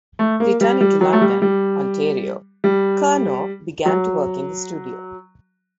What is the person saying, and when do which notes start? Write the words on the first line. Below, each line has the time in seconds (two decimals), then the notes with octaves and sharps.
Returning to London, Ontario, Curnoe began to work in the studio.
0.19 A3
0.40 A#3
0.61 G3
0.81 G3
1.01 F#3
1.13 A3
1.21 G3
1.42 G3
2.64 G3
3.86 F#3